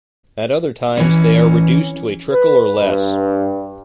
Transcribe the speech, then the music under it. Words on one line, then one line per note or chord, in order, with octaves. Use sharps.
At other times they are reduced to a trickle or less.
E3 C#4
B4
G2